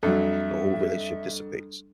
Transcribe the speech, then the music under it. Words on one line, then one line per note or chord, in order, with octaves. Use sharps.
the whole relationship dissipates.
F2 F#3 G3 D4 A4 E5